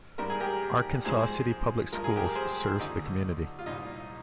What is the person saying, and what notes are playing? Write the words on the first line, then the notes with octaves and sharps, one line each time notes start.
Arkansas City Public Schools serves the community.
G#2 G3 A#4
G#4
G4 A#4
G#2 F3 G#3 G#4 C5
G2 F3 G#3 A#4
G#4
G4 A#4
G#4 C5
D2 D3 F3 D#4
F4
C2 A#2 G3 D#4